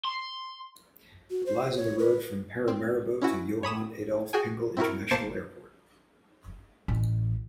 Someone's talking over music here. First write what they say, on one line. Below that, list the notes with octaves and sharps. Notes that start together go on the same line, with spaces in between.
It lies on the road from Paramaribo to Johan Adolf Pengel International Airport.
C6
F#4
C5
C#5
B4
C4
C#4 E4 F#4
C#5 B5 D#6 E7
F#4 G#4 G5 G#5
C4 E4 F#4 A#4
G#1 B2 A#3 C5 A5 E7
A1